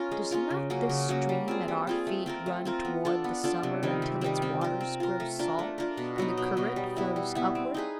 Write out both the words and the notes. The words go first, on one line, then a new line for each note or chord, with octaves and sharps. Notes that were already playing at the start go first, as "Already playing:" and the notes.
"Does not this stream at our feet run toward the summer, until its waters grow salt, and the current flows upward?"
Already playing: C#4 F4 A#4
G#3
C#4 F4 A#4
C#3
F#3 A#3 C#4
C#3
F#3 A#3 C#4
G3
C4 F4 G#4
G3
C4 F4 G#4
A3
C4 F4 A#4
A3
C4 F4 A#4
B3
D4 F4 A4
B3
D4 F4 A4
C3
D#3 G3 C4
C3
D#3 G3 C4
C4
F4 A#4
C4
F4 A#4
A3
D4 F4 A#4
A3
D4 F4 A#4
B2
F#3 B3 D#4
B2
F#3 B3 D#4
G3
B3 E4
G3
B3 E4
C4
D#4 G#4 B4